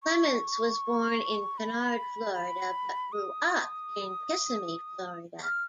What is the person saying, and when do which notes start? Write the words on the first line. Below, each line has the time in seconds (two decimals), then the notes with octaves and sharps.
Clements was born in Kinard, Florida, but grew up in Kissimmee, Florida.
0.04 C#6
1.58 B5
2.34 B5
3.12 D#6
5.43 F6